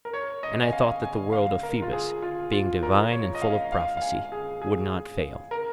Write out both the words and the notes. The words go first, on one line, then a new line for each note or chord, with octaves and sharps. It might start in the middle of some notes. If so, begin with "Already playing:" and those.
And I thought that the word of Phoebus, being divine and full of prophecy, would not fail.
A#4
C#5
D#5
G#5
F5
G#5
F5
A#4
F4
G#4
F4
F4
A#4
C#5
D#5
F5
F5
F5
G#5
G#4
G#4
A#4